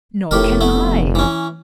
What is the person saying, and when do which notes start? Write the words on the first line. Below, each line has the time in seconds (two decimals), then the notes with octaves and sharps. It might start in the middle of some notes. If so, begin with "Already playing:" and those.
"Nor can I."
0.31 F1 A2 G4 A#4
0.61 A3 B3 E4
1.15 E3 C#4